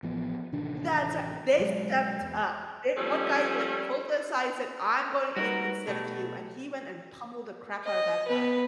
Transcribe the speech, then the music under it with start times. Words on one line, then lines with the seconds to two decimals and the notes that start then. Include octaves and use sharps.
That's ri they stepped up. They one guy, like, pulled aside and said, "I'm going in instead of you." And he went and pummeled the crap out of that guy.
0.03 A1 F3 B3
0.52 A1 C3 D#3 D4
1.58 B1 F#3 G#3
2.21 E2
2.97 F3 G3 A3 C#4
5.36 G3 D#4 F#4 A#4 B4
5.87 B2 A3 G4 A4
7.85 D#5
8.28 B3 B4